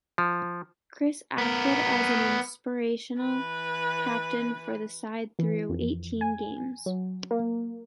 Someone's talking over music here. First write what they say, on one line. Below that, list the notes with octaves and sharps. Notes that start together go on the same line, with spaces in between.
Chris acted as an inspirational captain for the side through eighteen games.
F3
B3 A#4
E3 B4
E3
F2
G#5
F#3
A#3